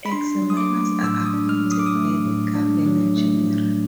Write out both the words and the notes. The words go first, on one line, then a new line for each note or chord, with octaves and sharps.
Examiners are appointed by the Governor General.
B5
D4 C6
F#3
D#6
D6
A3
A2 E6
D#6
D4
F6
F#3
D#6
D6
D#6
A3
A2
D4
F#3
A3
A2